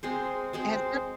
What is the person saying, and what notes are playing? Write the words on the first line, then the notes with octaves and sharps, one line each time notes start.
And so
G#3 C4 G#4 C5
G#3 C4 G#4 C5